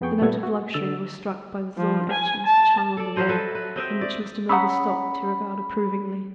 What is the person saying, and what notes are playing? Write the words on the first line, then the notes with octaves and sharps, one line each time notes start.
The note of luxury was struck by the Zohn etchings which hung on the wall, and which Mr. Milburgh stopped to regard approvingly.
F2 B3 G#4 G5 C#6
A#2 G3 A3 B3 A4 G#6
F#4
D3 E6 A6
F3
G#5
A5
A4 D5
F3 F#3 C5 D#5
A4 B4 D#5 E5
B4
C4 D#5 E5 G5
D5
C#4 F#5 A#5 B5 D#6 E6